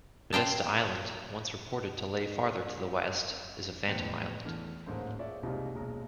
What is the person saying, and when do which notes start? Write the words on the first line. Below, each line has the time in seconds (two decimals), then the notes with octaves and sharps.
Podesta Island, once reported to lay farther to the west, is a phantom island.
0.33 C5 F5 G5 A5
3.88 E2 A2 B4 C5 G5 C#7
4.45 E2 E3 A3 F6
4.86 D1 A1 G#2 A3 A#3 C5
5.19 F4 G#4 C#5 D5 E5
5.42 F#1 C2 C3 G#3 D#4 F4
5.74 D#1 B1 G#3 A#5